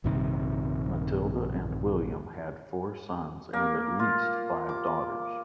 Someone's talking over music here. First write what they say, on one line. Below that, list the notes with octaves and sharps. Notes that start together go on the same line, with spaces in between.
Matilda and William had four sons and at least five daughters.
A#1 G2 C3 D#3
A#3
F4
D6